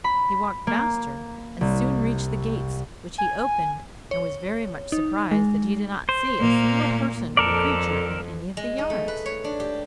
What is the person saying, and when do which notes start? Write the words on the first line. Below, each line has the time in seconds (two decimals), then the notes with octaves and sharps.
He walked faster, and soon reached the gates, which he opened, and was very much surprised that he did not see a single person or creature in any of the yards.
0.04 B5
0.67 A#3
1.61 C2
3.18 G#5
4.11 C#5
4.92 D#4
5.31 G#3
6.09 C5
6.40 A#2 A#3
7.37 F2 A4 A#4 D5
8.57 G#3
8.78 D#4
8.90 A3
9.08 B4
9.26 C#5
9.44 D4
9.60 G4